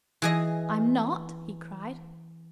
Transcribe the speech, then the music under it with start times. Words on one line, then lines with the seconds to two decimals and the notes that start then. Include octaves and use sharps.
"I'm not?" he cried.
0.22 E3 G#4 D#5